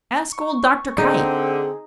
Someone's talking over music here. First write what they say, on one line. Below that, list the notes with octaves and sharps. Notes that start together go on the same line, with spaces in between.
Ask old Dr. Kite.
C#6
D3 C4 D#4 G#4